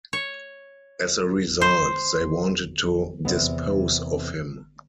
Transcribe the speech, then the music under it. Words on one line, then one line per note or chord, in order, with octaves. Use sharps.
As a result, they wanted to dispose of him.
C#5
C5
E2 G#2 C3 B3